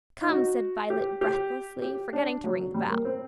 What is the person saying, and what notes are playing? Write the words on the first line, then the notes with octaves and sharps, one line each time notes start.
"Come," said Violet breathlessly, forgetting to ring the bell.
D#4
F#4
G4
G4
G4
D4
F#3
G3
A#3
C4